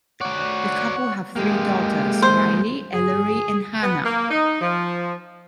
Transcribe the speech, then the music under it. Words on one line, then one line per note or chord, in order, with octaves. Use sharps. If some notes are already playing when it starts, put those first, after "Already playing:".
The couple have three daughters: Riley, Ellery and Hannah.
F#4 C#5 D5 F#5
G#3 A#3 G4
C5
G#4
B3
A#3
D#4
F3